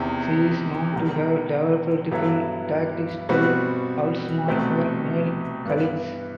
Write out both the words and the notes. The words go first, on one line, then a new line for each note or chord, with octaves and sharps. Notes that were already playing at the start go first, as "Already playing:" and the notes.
She is known to have developed different tactics to outsmart her male colleagues.
Already playing: E2 C3 D#3
E1 E2 D#3 G3
G2 F#3 B3 E4 A4
B2 G3 C4 F#4 B4
C2 B2 A3 C4 F#4
G2 E3 B3